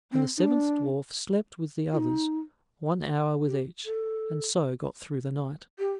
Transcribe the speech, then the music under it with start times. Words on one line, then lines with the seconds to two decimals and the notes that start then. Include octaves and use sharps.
And the seventh dwarf slept with the others, one hour with each, and so got through the night.
0.12 C4
0.37 D#4
0.41 D4
1.93 F4
1.97 D#4
3.47 G4
3.85 A4
5.79 G4